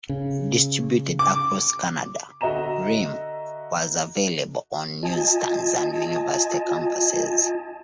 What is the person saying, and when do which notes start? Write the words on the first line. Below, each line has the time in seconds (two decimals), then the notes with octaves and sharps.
Distributed across Canada, "Realm" was available on newsstands and university campuses.
0.09 C#3
1.19 D6
2.41 D3 F#4 D#5 E5 A#5 E7
5.03 F4 D#5 G#5 A5